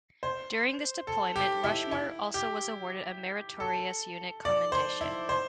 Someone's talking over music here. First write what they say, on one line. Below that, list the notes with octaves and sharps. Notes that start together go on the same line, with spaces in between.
During this deployment, "Rushmore" also was awarded a Meritorious Unit Commendation.
C5
A4
G4
E4
E4
G4
A4
D5
C5
E4
C5